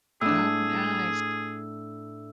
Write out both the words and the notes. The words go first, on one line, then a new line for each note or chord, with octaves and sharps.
Oh, nice.
A2 D4 G#4 E6